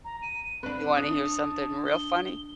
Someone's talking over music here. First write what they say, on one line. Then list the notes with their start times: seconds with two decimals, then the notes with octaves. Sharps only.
You wanna hear something real funny?
0.05 A#5
0.22 D#7
0.63 C4 D4 B4 F#6
0.97 D4 A5 D#6
1.86 G7